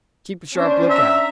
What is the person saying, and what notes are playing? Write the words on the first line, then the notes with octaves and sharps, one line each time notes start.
Keep a sharp lookout.
C#4 D4 C5
E5 A#5